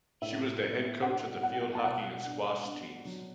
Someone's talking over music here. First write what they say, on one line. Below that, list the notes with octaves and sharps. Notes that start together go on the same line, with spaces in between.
She was the head coach of the field hockey and squash teams.
A2 E5
B3
D4 F#5
B3 F#5
A5
B2 F#5
D4
D4
F#3